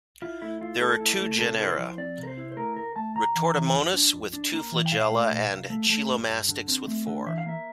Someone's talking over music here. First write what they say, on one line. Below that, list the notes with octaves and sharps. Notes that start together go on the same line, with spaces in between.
There are two genera: "Retortamonas" with two flagella, and "Chilomastix" with four.
E4 F4
A3 E4
E4 F4
A3 A4
E4
A3
C3 A4
E4 A#4
C5
F3
C4 D5
C3
A#4
C5
E4
C5
A3 A#4
D2 A#4
A3 A5
D2 A#5
E3
E3
F2
D4
F2
D4
A#3
E3
G5
A#2 F5
A3
A#2
C2
A3
A3
G2
G2
D3
C4
A3
D3
E3 E5
F5
A#3 E5